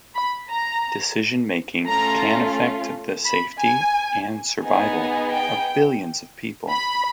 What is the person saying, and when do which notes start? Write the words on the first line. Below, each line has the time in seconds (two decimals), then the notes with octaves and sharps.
Decision-making can affect the safety and survival of billions of people.
0.16 B5
0.50 A#5
1.88 A3 C#4 F4 A#5
3.26 B5
3.60 G#5
4.63 B3 D#4 G#4
5.32 G5
6.69 B5